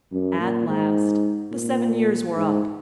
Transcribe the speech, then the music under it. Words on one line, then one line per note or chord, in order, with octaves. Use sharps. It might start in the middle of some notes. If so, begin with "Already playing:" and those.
At last the seven years were up.
F#2
A#2
G#2
A#2
G#2